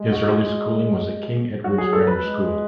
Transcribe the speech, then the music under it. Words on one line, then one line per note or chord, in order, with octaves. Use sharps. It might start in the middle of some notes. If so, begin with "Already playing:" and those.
His early schooling was at King Edwards Grammar School.
Already playing: G#3
F#4
F#4
F#3 F#4
G#4
A4
B4
G#3